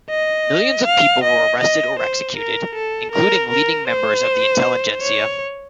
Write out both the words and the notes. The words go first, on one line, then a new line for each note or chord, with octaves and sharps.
Millions of people were arrested or executed, including leading members of the intelligentsia.
D#5
F5
D#5
D#5
C5
A#4
A4
A#4
A#4
C5
C#5